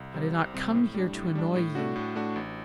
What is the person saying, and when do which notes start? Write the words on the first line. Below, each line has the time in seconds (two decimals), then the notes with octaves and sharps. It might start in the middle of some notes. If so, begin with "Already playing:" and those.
I did not come here to annoy you.
Already playing: C2
0.14 C3 G3 C4
0.34 C2
0.54 C3 G3 C4
0.74 A2
0.94 G3 D4
1.15 A2
1.35 G3 D4
1.56 A2
1.75 A3 D4 F#4
1.96 A2
2.15 A3 D4 F#4
2.36 A1